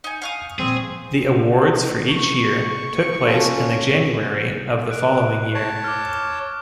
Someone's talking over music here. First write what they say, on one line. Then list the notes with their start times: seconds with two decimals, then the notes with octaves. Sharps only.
The awards for each year took place in the January of the following year.
0.04 D#4 G#5
0.22 F5 C#6 D#6
0.59 A#2 F3 G3 C4 G#4
2.08 C#6
3.27 C#4 F4 A4
4.90 F#6 D7
5.55 C#5 A5
5.84 D6 F6